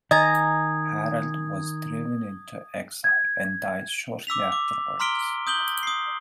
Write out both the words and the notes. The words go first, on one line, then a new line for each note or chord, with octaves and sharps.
Harald was driven into exile and died shortly afterwards.
D#3 D#5 G#5 A#5 D#6 G#6
G#6
D6 E6 B6 F7
D6
A#5 C6 F6 B6 D7 G7
D#6 G6 F#7 G7
D#6 C7